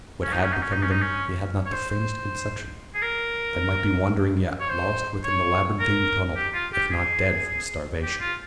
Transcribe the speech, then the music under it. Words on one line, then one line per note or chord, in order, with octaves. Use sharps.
What had become of them he had not the faintest conception--they might be wandering yet, lost within the labyrinthine tunnel, if not dead from starvation.
C#4
D#4
C#4
D#4
C#4
D#4
C#4
D#4
C#4
C#5
C5
C5
G#4
A#4
C#5
C5
C#5
A#4
G4
F4
G4
G#4
G4
F4